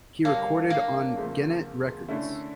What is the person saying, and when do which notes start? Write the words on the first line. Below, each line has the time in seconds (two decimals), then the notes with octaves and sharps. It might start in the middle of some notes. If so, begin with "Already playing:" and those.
He recorded on Gennett Records.
0.25 D3 G3 A#3 D4 A4 C#5
0.70 A#3
1.16 E2 C#3 F3 A3
2.08 D3 A3 C#4 E4